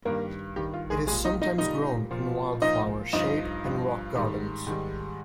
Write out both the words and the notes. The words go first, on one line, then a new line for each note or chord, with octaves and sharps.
It is sometimes grown in wildflower, shade, and rock gardens.
G2 D#3 G3 A#3 A#4
G2 D#3 G3 G4
F4
G#3 G#4
G3 G#3 G#4
A#2
D#4 D#5
D#4 D#5
A#2 G3 D#4 D#5
A#2 F3
A#2 F3 D#4 D#5
G2 F3 D#4 D#5
G2 F3
G#2 D#3 G3
G#2 D#3 G3